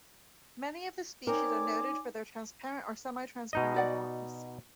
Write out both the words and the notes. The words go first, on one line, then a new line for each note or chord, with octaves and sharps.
Many of the species are noted for their transparent or semi-transparent bodies.
C4 D#4 A#4 C#5 D5 G#5 D6
B2 D#4 D#5
F#4 D5 F#5